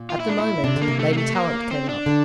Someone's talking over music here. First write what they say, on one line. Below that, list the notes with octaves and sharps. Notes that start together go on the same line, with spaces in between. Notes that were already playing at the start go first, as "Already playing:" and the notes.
At the moment, Lady Tallant came up.
Already playing: A#2
F4
E4
D4
E4
C3 D4
D3
A#3
C3
A3
A#3
A3
A#3
C4
D4
D3